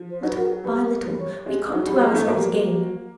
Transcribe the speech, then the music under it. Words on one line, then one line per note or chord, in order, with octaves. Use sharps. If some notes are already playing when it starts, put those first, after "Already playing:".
Little by little we come to ourselves again.
Already playing: F3
C5
F#3 B4
A#4
G3 B4
C#5
G#3 G4
F#3 F#4
G3 F#4
G#3 F4
A3
A#3 F#4
G4
F#4
G4
F#4
G4
F#4